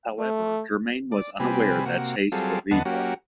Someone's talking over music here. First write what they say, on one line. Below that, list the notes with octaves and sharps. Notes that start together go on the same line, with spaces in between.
However, Jermaine was unaware that Chase was evil.
A3
D5
C3 G3 C4 B4 G#5
C3 A#3 F#4
F#3 G3 C4 F4 G#4 A4
E2 D3 B3 D#5 F#5 A5
F#3 A#3 C#4 F#4 G4